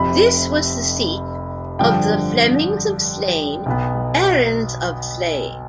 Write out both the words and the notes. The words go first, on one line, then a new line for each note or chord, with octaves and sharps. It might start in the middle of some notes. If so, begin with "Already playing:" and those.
This was the seat of the Flemings of Slane, barons of Slane.
Already playing: F1 F2 C3 B5
G2 D3 F3 G5
B1 B2 B3